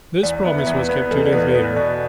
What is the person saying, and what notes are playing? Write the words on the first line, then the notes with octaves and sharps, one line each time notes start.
This promise was kept two days later.
E2 D5
B3 E5
B4
E2 D5
B3 B4
E2 A4
D5
E2 B4
E2 D5
B2 D5